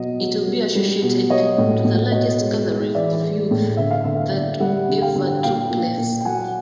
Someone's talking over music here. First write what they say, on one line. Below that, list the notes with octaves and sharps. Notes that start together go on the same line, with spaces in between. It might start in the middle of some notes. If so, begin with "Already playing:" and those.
It will be associated to the largest gathering of youth that ever took place.
Already playing: B2 F#3 D#5
F#3
G3
G3
B2
F#3 C#5 D#5
A2
A2
B2 C#5 D#5
G#3
G#3
E3 D5 E5
G#3
A2
D3 E5
F5
D3 E5
F5
D3 D5 E5
G3 E5 F#5
D3
F5 G5
D3
A#2 F5 G5
A#2
A#2
G5
F#3 F#5 G#5